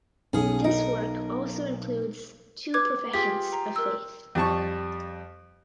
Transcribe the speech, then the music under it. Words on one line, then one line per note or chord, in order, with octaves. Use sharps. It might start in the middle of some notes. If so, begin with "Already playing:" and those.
This work also includes two professions of faith.
B1 C#4 G#4
D#4 A#4
B4 D6 G#6
F4 G4 G#4 B6
A#5
A#4 E6
F2 G3 A5 C#6